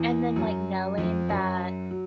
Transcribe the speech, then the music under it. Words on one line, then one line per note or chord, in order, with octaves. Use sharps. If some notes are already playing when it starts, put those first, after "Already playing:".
And then, like, knowing that
Already playing: E2 E3
F#2 F#3
F2 F3
F#2 F#3
F#3